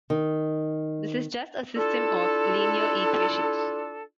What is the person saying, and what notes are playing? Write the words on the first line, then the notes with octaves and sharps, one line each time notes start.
This is just a system of linear equations.
D#3
D4 E4 F4 A4